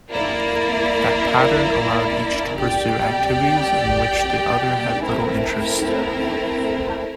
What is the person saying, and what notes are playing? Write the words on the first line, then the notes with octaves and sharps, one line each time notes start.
That pattern allowed each to pursue activities in which the other had little interest.
A#3 E4 A#4 D5
G4 D5 G5
A3 C4 E4 A#4